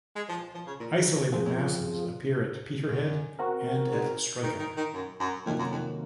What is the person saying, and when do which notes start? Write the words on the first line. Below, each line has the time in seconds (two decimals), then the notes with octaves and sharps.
Isolated masses appear at Peterhead and at Strichen.
0.16 G#3
0.29 F3
0.55 F3
0.67 C#3
0.80 A#2
0.98 G#2
1.15 F#2
1.31 F2 F3 C4 F4 G#4
1.45 F#2
1.58 F#2
1.70 F2
2.87 F#2
3.39 C4 F#4 A#4
3.91 G#2
4.43 D#3
4.59 D#3
4.77 D#3
4.94 F#2
5.20 F#2
5.46 F2 C3 D#3 F#3 A#3
5.59 F#2
5.71 F2